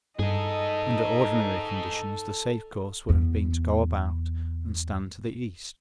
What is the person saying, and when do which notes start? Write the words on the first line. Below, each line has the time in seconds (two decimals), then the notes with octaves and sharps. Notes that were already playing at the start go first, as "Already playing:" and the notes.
Under ordinary conditions the safe course would have been to go about and stand to the east.
0.19 G2 D#4 G#4 A4 D#5
3.09 E2 B3